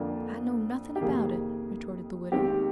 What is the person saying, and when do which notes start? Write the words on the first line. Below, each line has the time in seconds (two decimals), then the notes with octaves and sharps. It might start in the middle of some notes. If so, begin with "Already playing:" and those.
"I know nothing about it," retorted the widow.
Already playing: F2 D3 F3 A#3 D4
0.96 G4
1.01 F2 C3 D#3 A#3 G#4
2.32 D#2 D#3 G#3 C4 G4